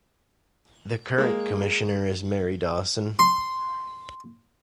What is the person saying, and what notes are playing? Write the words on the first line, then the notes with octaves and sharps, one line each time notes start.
The current Commissioner is Mary Dawson.
G#3 A#3
C6